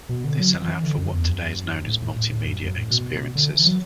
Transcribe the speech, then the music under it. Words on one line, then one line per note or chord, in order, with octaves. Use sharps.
This allowed for what today is known as multimedia experiences.
B2
D3
F#3
E3
E3
D3
F#2
E2
F#2
A2
A2
A2
A2
F#2
F#2
A2
B2
D3
E3
F#3